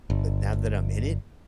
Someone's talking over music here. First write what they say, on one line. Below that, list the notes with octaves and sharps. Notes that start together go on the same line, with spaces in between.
But now that I'm in it,
G1